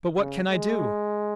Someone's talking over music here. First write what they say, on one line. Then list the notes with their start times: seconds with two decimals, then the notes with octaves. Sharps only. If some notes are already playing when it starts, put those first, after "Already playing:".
"But what can I do?"
0.18 C#3
0.50 G#3